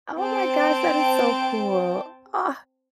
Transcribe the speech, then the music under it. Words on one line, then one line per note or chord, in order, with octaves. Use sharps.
Oh my gosh, that is so cool. Ah,
C4 G5 A5 D7